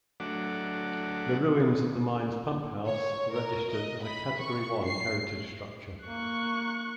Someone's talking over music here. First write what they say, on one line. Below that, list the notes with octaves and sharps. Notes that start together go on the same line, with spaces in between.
The ruins of the mine's pumphouse are registered as a Category One heritage structure.
F#3 A3 D4 F#5 D6
C#5
A#4
D#5
B5
C#6
C7
A#3 C#6 F#6